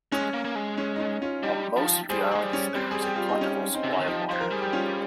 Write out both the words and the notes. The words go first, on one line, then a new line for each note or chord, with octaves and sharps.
On most of the islands there is a plentiful supply of water.
G#3 C#4
A#3
A#3
G#3
C#4
D#4
C#4
C#4 F4
G3 D#4 G4
F3
G3 G#4 C5
G#3 G#4 C5
G3
C#4
G3 C4
G#4
G4
F4
D#4
C#4
C4 D#4
C3
C#3
D#3
F3 D#4 G4
F3 C5
A#4
G3 G#4
G4
C#4 F4